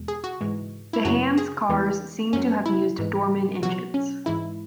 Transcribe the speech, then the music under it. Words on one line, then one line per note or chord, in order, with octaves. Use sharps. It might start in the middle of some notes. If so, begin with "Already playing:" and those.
The Hands cars seem to have used Dorman engines.
Already playing: E2 B2 G#3
G#4
F#4
G#2 E3 G#3
E4
F#2 C#3 F#3 F#4
G#4
E2 E3 G#3
F#2 F#3 C#4
E4
G#2 E3 G#3
B2 F#3 F#4
C#4
G#2 E3 G#3 E4